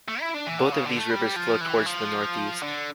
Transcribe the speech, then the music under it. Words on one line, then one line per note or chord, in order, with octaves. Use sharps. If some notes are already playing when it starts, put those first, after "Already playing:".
Both of these rivers flow towards the northeast.
A3
E4
D4
E3
D3
C#3
D3
A3
G3
F3
E3
F3
D3